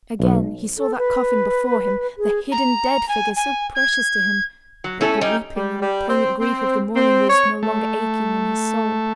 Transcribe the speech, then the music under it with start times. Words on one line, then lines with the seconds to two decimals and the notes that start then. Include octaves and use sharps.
Again he saw that coffin before him, the hidden dead figure so precious to him, but the weeping and poignant grief of the morning was no longer aching in his soul.
0.20 B1
0.78 A4
0.98 B4
2.18 G#4
2.52 A#5
3.09 G#5
3.36 G#5
3.75 G#6
4.84 F#3
5.01 A3 C#4 E4 A4
5.21 G3 C#4 D#4
5.57 G3
5.82 G3
6.09 C4
6.41 C4
6.96 C4
7.30 C#5
7.63 A3